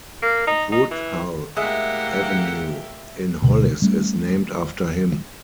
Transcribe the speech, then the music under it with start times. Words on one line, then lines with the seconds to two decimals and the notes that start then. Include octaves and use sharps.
Woodhull Avenue in Hollis is named after him.
0.22 A#3
0.47 D#4
0.72 D#4
0.91 E3
1.57 A2 G#3 A#3 G4 E5 F#5
3.42 D2 B2
3.82 G3 A3 C#4